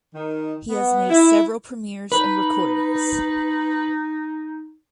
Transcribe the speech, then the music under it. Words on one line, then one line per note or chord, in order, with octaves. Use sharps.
He has made several premieres and recordings.
D#3
B3
E4
D#4 B4